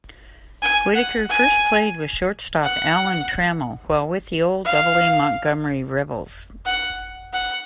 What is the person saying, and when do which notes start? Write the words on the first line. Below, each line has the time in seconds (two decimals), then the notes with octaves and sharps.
Whitaker first played with shortstop Alan Trammell while with the old Double-A Montgomery Rebels.
0.62 G#5
0.95 F#5
1.29 G#5
2.63 F#5
4.65 F5
6.66 F#5
7.33 F#5